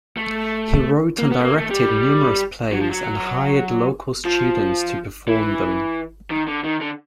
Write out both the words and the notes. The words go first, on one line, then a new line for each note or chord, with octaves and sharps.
He wrote and directed numerous plays, and hired local students to perform them.
A3
A#3
B3
A3
A#3
A3
G3
F#3
F3
F#3
F3
E3
D#3
D3
D#3
D3